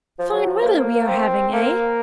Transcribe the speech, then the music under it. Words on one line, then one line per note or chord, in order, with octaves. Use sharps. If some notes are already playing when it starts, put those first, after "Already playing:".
Fine weather we are having, eh?
F3
F#3
F3
A#3
C4
A#3